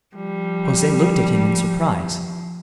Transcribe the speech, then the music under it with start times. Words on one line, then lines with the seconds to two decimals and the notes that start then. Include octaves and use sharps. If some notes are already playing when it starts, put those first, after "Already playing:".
Jose looked at him in surprise.
0.16 F3 G3